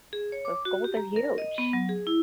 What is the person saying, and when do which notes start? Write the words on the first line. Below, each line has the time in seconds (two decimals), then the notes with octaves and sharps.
Those goals are huge.
0.13 G#4
0.32 C#5
0.45 D6
0.65 F#4
0.84 G4
0.97 A#5
1.16 A#4
1.38 D#5
1.58 B3
1.73 F#3
1.89 G#4
2.07 E4